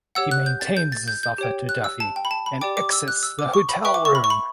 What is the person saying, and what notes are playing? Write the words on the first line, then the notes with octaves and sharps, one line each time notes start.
He maintains his offer to Duffy and exits the hotel room.
G4 C#5 F#5 E6
F#6
G6
A6
G6
A6
G6
G6
G4 C#5 G5
F#6
E6
A5
G5
B5
A5
B5
G4 D5 G5 D6
D6
E6
F#6
E6
D6
C#6
B5
B4 E5 G5 C#6
D6
C#6
B5
C#6
B5